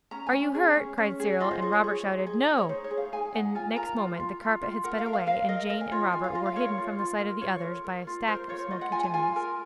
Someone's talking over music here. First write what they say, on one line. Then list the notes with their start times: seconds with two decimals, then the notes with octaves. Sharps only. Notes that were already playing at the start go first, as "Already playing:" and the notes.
'Are you hurt?' cried Cyril, and Robert shouted 'No,' and next moment the carpet had sped away, and Jane and Robert were hidden from the sight of the others by a stack of smoky chimneys.
0.11 C#4 A#5
0.27 G#5
0.33 C#4
0.54 G#4
0.77 C#4
0.98 C#4
1.20 G#4
1.40 F4 D#5
1.51 C5
1.62 G#4 C#5
1.73 C#5
1.84 G#4
2.05 D#4
2.26 G#4
2.48 D#4
2.58 C#5
2.69 D#4 C5
2.84 C#5
2.91 G#4
2.97 F5
3.12 G#4 G#5
3.34 D#4 F#5
3.55 F4 G#5
3.76 A#4 A#5
3.98 F4
4.20 F4
4.42 F4
4.62 F4
4.84 A#4 F#5
4.98 F5
5.06 A#4
5.13 F5
5.27 A#4 F5
5.49 A#4 D#5
5.70 A#4 D#5
5.81 G#5
5.92 F4 C#5
6.12 F4 G#5
6.24 F5
6.34 F4 D#5
6.46 F5
6.56 A#4 C#5
6.78 F4
6.99 F4
7.20 A#4
7.41 F4 C#5
7.63 A#4
7.84 A#4
8.07 F4
8.27 A#4 C5
8.49 F4 C#5
8.71 F4 D#5
8.81 F#5
8.92 F4 G#5
9.03 G#5
9.14 F4 G#5
9.36 A#4